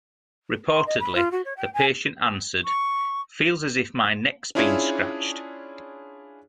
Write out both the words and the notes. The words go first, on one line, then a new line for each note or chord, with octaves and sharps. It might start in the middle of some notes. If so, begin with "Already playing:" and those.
Reportedly, the patient answered: "Feels as if my neck's been scratched".
C6
D#5
B5
F4
F#4
C#5
G5
G#5
C#6
C#4 D4 E4 F4 G#4 C#5